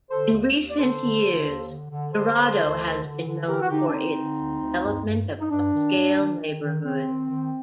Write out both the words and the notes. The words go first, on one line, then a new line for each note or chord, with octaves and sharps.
In recent years, Dorado has been known for its development of upscale neighborhoods.
D3 A4 C5
D#2
D#2
D5
D3 A4 C5
D3
D3
D#2
D3
D3
D3 A4 C5
D3
D2
D3
D3
D3
D3 G4 A#4
F#4
D3 D#4 G4
D4
D3 C4 D#4
D3
D2
D2
G2
G2
G2
D#4
G2 D4
D#3
G2
D#3
D#3
D#3
D#3 C4
D#3
D#3